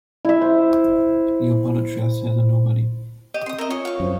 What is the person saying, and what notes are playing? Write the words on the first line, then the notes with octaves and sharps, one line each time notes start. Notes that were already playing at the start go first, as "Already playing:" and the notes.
Leopoldo Trieste is a nobody.
E4 E5
C5
G4 D#5
C4 C6 D#6
A#4 D#5 E5
F4 C#5 D#5 G#5
F5 C#6
F#2 C5